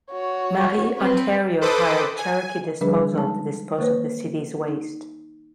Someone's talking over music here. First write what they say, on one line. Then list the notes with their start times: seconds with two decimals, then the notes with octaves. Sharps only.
Marie, Ontario hired Cherokee Disposal to dispose of the city's waste.
0.11 F#4 C#5
0.97 C4 B4
1.61 A4 B4 C5 D6 D#6
2.17 G#5
2.81 D3 F3 G3 D4 G#4 B4
3.14 G#3 D#4 A5
3.78 D#3 A#3 B4 C#5
4.68 D#4